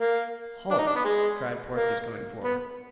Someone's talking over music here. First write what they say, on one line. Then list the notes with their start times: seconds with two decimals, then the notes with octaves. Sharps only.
"Halt!" cried Porthos coming forward.
0.01 A#3
0.71 D4
0.78 D#4
0.87 D4
0.96 B3
1.05 G#3
1.75 A#3
2.44 B3